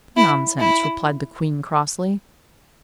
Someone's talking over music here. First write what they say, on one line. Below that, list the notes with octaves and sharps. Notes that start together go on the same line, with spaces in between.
'Nonsense!' replied the queen crossly.
E4
E4